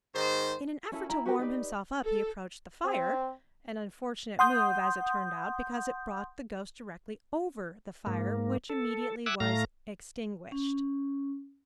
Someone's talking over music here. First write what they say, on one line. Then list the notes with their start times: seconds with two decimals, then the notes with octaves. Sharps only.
In an effort to warm himself up he approached the fire, an unfortunate move as it turned out, because it brought the ghost directly over the fire, which immediately was extinguished.
0.15 G#2 D#3 C5
0.92 C#4 E4 A4
1.09 E4 G5 A#5
1.25 F#4 G4 A#4 G5
1.39 D#4 G4 B4 D5
2.04 A4
2.84 C4
4.39 F#5 C6 D#6 G6
8.07 G#2 A#3
8.70 A4
9.26 E5 F#5 G#5 D6 E6 F#6
9.40 A2 A3 F5 A#5 A#6
10.52 C#4